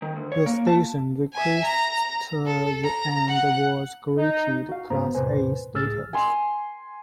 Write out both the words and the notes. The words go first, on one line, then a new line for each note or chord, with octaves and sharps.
The station requested and was granted Class A status.
D#3
D2
C#5
A#3
A5
E5 G#5
A#5
A4
A#5
F#5 F#6
D#4
F#4 F5
G#2 B3 C5 A#5
E2 A2 C3 B4 C5 G#5
C#2 A2 G#4 E6 F6 A6
G#5 C6